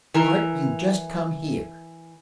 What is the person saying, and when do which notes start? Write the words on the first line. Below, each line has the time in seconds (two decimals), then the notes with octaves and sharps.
"Bart, you just come here!"
0.14 E3 A#4